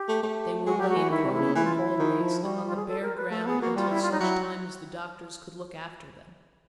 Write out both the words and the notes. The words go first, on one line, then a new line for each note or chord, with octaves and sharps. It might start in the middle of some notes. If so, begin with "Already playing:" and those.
They were laid groaning in hallways and on the bare ground until such time as the doctors could look after them.
Already playing: G4
A3
A3
G#3 F#4
F#3 G4
F#4
E3
D#3 E4
C3
E4
C#3
E3 E4
F4
E4
D#3
F3
G3 F#4
F4
G#4
A4
A#4
B4
A3 A4
B3 G#4
A#3 F#4
G3 F4
E4
F4
D#4
F#3 E4